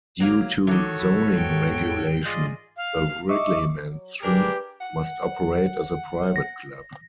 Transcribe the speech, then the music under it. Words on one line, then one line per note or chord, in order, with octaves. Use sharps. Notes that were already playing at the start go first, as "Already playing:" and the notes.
Due to zoning regulation, The Wrigley Mansion must operate as a private club.
F#3 A#3 F5
D#3 E3 F#4 A4 C#5
E4
G#2 G5
F4 G#4 D5 D#5
F5
D#5 E5 C#6 D6
F#3
G#3 D4 G4 A#4 B4
F#5
A#6